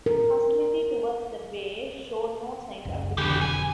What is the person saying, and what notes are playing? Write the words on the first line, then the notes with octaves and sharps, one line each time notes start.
Hostility towards the Bey showed no signs of decreasing.
A#4
F#1 C#2
E1 F2 D3 E3 G4
G#5